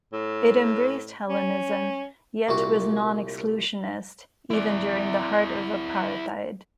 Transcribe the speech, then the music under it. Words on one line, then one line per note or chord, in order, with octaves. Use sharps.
It embraced Hellenism, yet was non-exclusionist, even during the heart of apartheid.
A2
C#4
C2 A#2 F#4
E4 D5